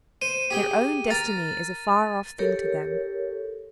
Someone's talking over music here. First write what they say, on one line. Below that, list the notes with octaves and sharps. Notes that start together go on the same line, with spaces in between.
Their own destiny is a far-off thing to them.
C5 D#7
G4 G#4 G5
A#4 A#5 A6
G4 A4 A#4 C#5